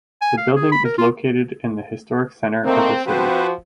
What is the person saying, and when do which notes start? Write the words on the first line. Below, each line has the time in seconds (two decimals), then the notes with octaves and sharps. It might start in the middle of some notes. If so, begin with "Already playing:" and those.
The building is located in the Historic Center of the city.
0.21 G#5
0.37 F5
0.56 G#4
0.72 B5
0.85 A#4
0.98 F4
2.65 A3 A#3 C4 D#4
3.06 F3 C4 F#4 B4 C5